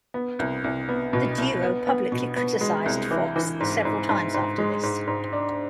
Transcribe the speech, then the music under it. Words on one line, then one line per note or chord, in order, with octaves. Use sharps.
The duo publicly criticized Fox several times after this.
B3
C2
C2
B3
B2
C2
B3
B3
B2
B3
G#3
C2
E3
E3
G#2
G#2
G#2
G#2
G#3
G#2
G#2
D4